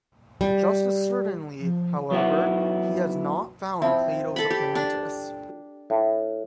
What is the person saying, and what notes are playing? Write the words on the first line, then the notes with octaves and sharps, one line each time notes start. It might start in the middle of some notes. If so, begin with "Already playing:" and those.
Just as certainly, however, he has not found Plato's Atlantis.
G3
F3
F#3 B3 E4 F#4
F3 C4 E4
A4 B5
G4
D4
A2